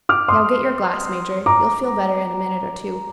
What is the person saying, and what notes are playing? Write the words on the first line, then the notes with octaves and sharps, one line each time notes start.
"Now get your glass, Major. You'll feel better in a minute or two."
D6 F6
C6 D#6
A#5 D6